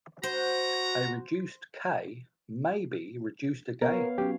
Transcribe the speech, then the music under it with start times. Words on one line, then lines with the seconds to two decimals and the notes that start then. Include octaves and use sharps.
A reduced "K" may be reduced again.
0.23 F#4 C5 A#5
3.82 B3 A#4 C#5 F5
4.18 F#3 C#4 G4